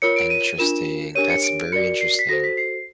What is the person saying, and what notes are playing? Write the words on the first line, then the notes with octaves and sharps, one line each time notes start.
Interesting, that's very interesting.
F4 A#4 C#5 C#7
D7
D#7
D4 F4 A#4 E7
D4 G4 A#4 C#5 D#7
C#7
D7
F#4 A#4 D5 C#7
C7
B6
F#4 A4 C5 A#6
B6
C7